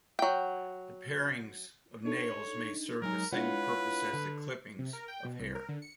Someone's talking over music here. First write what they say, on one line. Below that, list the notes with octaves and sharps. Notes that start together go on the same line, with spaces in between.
The parings of nails may serve the same purpose as the clippings of hair.
F#3 G5
D4 D#4 A4 C#5
F#3 G#3 D#4 A#4
G#3 D4 E4 F4 B4 C#5 F#5
D3
C3
A#4
G5
B2
C2
A#4
D3
C#7